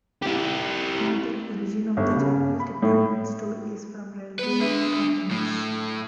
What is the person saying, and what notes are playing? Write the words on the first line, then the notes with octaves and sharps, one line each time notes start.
Another origin of the Japanese department store is from railway companies.
E4 G4
G1
C#3
B5
A2
B3 B4
D4 E5
A2